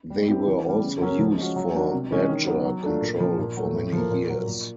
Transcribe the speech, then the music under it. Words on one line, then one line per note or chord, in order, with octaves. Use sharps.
They were also used for badger control for many years.
G3
C4 E4 G4
E3
G3 B3
C#3
F#3 A#3 C#4
F3
G#3 C#4 F#4
F#3
A#3 D4 F#4
C3
E3 G#3 C#4
D#3
F#3 B3
F#3
A3 D4 F4
A#2
F3 A#3
A#2
F#3 A3
A2
F3 A#3
A#2
F#3 A#3
A#2